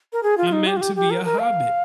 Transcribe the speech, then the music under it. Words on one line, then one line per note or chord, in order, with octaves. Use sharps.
I'm meant to be a hobbit."
A#4
G#4
F4
D#4
G4
F4
G4
G4
A#4
A#4
F5